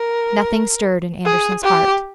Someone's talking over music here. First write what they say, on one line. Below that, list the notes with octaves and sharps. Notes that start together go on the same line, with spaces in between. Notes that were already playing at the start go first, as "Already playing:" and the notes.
Nothing stirred in Andersen's heart.
Already playing: A#4
G#4
G4